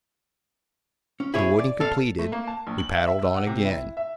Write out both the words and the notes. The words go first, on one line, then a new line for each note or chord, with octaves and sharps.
The wooding completed, we paddled on again.
C#4
E4 G#4 C#5
D5
A4 F5
A3
A#3
A5
A#1
F#7
E5
E5
E6
F#5
C3
E4
E5